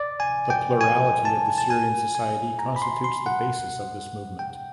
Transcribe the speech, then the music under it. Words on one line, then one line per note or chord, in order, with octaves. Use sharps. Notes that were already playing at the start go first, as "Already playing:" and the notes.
The plurality of the Syrian society constitutes the basis of this movement.
Already playing: D5
G#5
G5
G#5
A5
A5
G#5
G#5
A#5
B5
C6
C6
F#5
G5